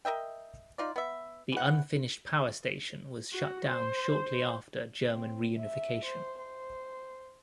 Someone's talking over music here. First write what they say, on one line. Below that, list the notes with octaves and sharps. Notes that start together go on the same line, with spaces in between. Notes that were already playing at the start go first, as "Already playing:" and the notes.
The unfinished power station was shut down shortly after German reunification.
A#4 D#5 E5 G5
D#4 F4 D5
B3 E5
E3 F#5
F#4
C5
C4
E5
C5
C5